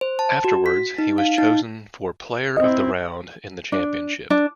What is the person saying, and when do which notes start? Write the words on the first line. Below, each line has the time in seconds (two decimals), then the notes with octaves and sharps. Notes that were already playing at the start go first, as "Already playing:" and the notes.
Afterwards, he was chosen for player of the round in the championship.
0.01 C5
0.19 A5
0.44 F#4
0.66 B6
0.98 D#4
1.18 F5
1.38 D#4
2.57 C4 E4 D#5
3.72 D4
4.30 D4